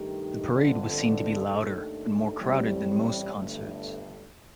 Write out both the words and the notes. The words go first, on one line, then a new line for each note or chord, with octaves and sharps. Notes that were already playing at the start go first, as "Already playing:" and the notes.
The parade was seen to be louder and more crowded than most concerts.
Already playing: G2 D#3 A3 D#4 G4
G1 F2 D3
D#2 D#3 A3 D4 A4
A1 A2 G3 C4
G1 G2 D3 A3